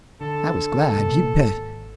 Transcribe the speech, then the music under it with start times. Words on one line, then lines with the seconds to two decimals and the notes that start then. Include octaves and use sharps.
I was glad, you bet.
0.21 D3 A4
0.96 C3 A#3
1.38 G#1